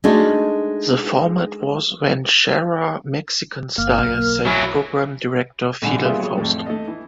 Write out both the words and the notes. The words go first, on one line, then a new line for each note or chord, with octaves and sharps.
The format was "Ranchera Mexican style," said program director Fidel Fausto.
G#3 A3 D4 D#4 F#4
G1 A#3 F6
B1
F#3 E4 G#5
A#1 G#2 D3 G#5
G3 A#3 B3 F4 G#4 E5
F#3 G#4
F2 A2
A3 D#5
E3